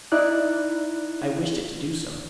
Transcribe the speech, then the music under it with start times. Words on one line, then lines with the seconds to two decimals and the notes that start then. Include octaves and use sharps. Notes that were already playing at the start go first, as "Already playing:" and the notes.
"I wished it to do so."
0.12 D#4 E4 D5 F#6